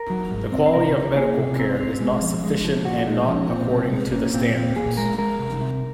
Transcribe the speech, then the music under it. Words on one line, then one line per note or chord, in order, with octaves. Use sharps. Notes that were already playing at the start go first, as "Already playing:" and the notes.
The quality of medical care is not sufficient and not according to the standards.
Already playing: A#4
F#3
G#2
C4
C5
C3 A#4
C#2 A#4
A#3 G#4
C3
C4 A#4
C5
C4 C5
G#3
F3
G#3
F3
A#2 F#4
G#3 D#4
D#4
F3 C#4
A#2 C4
C2 C4
G#3
A#3 C#4
A#2 C4
A#2 C4
A#2 G#4
G#3 A#4
G#3 A#4
C2
C3